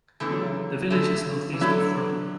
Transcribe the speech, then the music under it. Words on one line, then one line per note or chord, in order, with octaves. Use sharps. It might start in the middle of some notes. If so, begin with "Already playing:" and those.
The village is north-east of Frome.
E2 D3 E3 A3 D4
F#3
C#3 E3
E2 D3 A3 D4
E3
D3 F#3 A3 E4 A4 E5